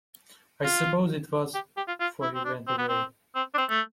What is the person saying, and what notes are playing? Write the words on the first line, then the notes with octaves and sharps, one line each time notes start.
I suppose it was, for he went away.
F4
G4
G4
F4
F4
E4
C4
D4
C4
B3
C4
C4
D4
C4
A3